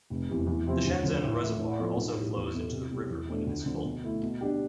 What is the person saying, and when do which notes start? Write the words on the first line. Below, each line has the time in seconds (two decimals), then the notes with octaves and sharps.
The Shenzhen Reservoir also flows into the river when it is full.
0.10 F1
0.29 E2 C3
0.47 E2
0.66 C3 F3 C4 E4
0.85 D2
1.03 D3 F3
1.23 A2
1.41 E3 A3 E4
1.59 A2
1.78 F3 B3 F4 A4
1.97 B1
2.16 A2 G3
2.35 E2
2.53 B2 B3 E4 A4
2.72 C2
2.91 B2 G3
3.09 E2
3.28 B2 A3 D4 A4
3.47 D2
3.66 D3 F3
3.85 B2
4.04 A3 E4
4.22 B2
4.41 G3 D4 G4